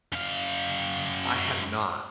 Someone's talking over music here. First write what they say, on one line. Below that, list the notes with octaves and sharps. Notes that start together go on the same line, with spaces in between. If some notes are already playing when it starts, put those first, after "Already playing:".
I have not.
F#2 F5